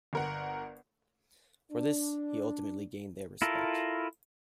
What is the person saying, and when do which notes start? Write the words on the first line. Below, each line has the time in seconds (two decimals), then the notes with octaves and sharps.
For this he ultimately gained their respect.
0.13 G1 A#4 F#5
1.72 D4
3.42 E4 F4 A4 A#4